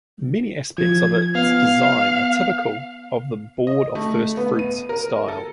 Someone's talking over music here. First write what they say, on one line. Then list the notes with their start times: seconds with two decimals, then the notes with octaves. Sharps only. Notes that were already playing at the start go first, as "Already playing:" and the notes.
Many aspects of its design are typical of the Board of First Fruits style.
0.78 F3 G#6
1.35 B3 F5
3.67 D#5
3.95 A3
4.37 B3
4.59 D#7
4.89 A#4
5.28 A4